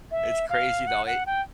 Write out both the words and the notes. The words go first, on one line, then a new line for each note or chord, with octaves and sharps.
It's crazy though, it
E5
F5
F#5
F#5
G5